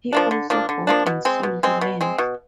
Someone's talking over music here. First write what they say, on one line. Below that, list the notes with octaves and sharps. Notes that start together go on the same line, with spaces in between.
He also bought and sold land.
F3 A#3 D4
D3
F3 A#3 D4
D3
F3 A#3 D4
B2
G#3 C4
B2
G#3 C4
B2
G#3 C4
B2